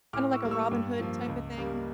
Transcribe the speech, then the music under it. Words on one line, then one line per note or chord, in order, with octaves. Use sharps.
Kinda like a Robin Hood type of thing.
A2 D6 F6
C#6 E6
G3 A#3
C#6 E6
G2
F3 A#3
C#2
C#3 G3 A#3